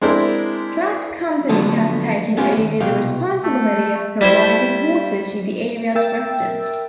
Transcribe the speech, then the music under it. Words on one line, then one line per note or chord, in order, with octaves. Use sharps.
That company has taken over the responsibility of providing water to the area's residents.
G#3 C4 D4 E4 A#4 C5
D3 F3 F#3 A3 B3
B3 C#4 F4 G4
D#2
C2 B2 G4 F5
A3
G3 E4 C5
A#4 E5 G5 E6 A6